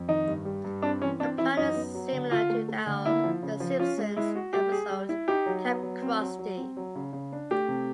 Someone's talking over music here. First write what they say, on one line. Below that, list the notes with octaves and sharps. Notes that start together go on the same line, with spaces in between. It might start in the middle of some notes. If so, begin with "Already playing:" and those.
The plot is similar to that of "The Simpsons" episode "Kamp Krusty".
Already playing: F2
D#3 D#4
G2
G3
G2
C4 D4
E3 C#4
C4 D4
E3 E4
F#2 D#4
B3
F#3
D3
D3 F4
A3
A3
D3
A#3 E4
F3
C#3
F3
C#4 F4
G#3
G#3 E4
F#4
G3 G4
G#4
G3
E4
D#4 G4
F#3
B3
F#3
C4
F#3
F#3
C4
F#3
C#3
C#3
D4
A3 G4
C3